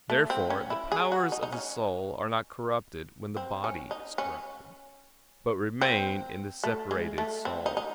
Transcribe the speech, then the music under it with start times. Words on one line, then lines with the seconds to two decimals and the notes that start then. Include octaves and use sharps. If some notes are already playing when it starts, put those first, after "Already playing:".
Therefore the powers of the soul are not corrupted when the body is corrupted, but remain in the separated soul.
0.10 A3
0.30 C4
0.50 C#4
0.70 E4
0.92 G#4
1.12 F#4
1.32 D#4
1.43 D#4
1.52 C#4
3.37 C4
3.64 C#4
3.91 D#4
4.18 C#4
5.81 C4
6.63 A3
6.91 G#3
7.18 A3
7.45 C4
7.66 D#4
7.77 D#4